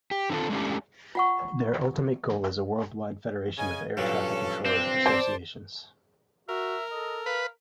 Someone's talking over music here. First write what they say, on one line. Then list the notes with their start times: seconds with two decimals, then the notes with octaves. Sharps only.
Their ultimate goal is a worldwide federation of Air Traffic Controllers' Associations.
0.11 G4
0.30 D3 D#3 C4 F4 A4
0.50 G#3 A3 C#4 D4 G4
1.15 F4 F#5 C#6
3.58 C#3 D#5 G#5
3.97 G2 A#2 F#3 C#4 A4
4.65 C4 D4
5.06 C5 D5 A5
6.49 F#4 A#4 E5
6.92 A4 D#5
7.26 B4 F5